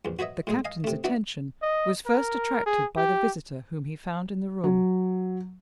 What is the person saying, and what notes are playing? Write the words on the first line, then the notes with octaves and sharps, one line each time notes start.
The Captain's attention was first attracted by the visitor whom he found in the room.
A#1 E2
F#4 B4 C#5 D#5 E5
A2 G#3 G#4
D#5 F5 G#5
C3 A3
B3 D4 E4 F#4 B4
D#5
A#4
G#4
G4
F#3